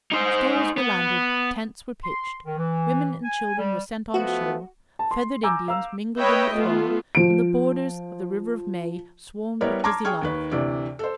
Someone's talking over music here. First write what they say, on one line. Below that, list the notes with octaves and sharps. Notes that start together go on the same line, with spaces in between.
Stores were landed, tents were pitched, women and children were sent on shore, feathered Indians mingled in the throng, and the borders of the River of May swarmed with busy life.
D#4 C5
B3
C6
D#3
E3
G#5
G3
F3 A3 B3 F#4
A5
C6
G#5 A#5 D6 E6 G6
F5 A#5 E6
B4 C#5 D#5 E5 G5
A3 B3 F4
F3 D7
G3 B3 E4 A#4 C#5 D5
A5 A#5 C6 D6 F6 G#6
G#4 G5 C#6 F6 G#6
D#2 D#3 B4
D2 C3 E3 D5
A4 C5